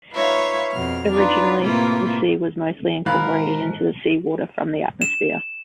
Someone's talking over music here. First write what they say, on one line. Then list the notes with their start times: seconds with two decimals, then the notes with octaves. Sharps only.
Originally, the C was mostly incorporated into the seawater from the atmosphere.
0.11 D#4 F4 B4 C#5 E5 F5
0.72 F2 B2 F6
1.12 D4 D#4 F4 B4
1.60 A2 C3 E3 A#3 F4
3.06 G#2 B2 D#3 E3 A#4 F5 B5 F#6
5.02 E7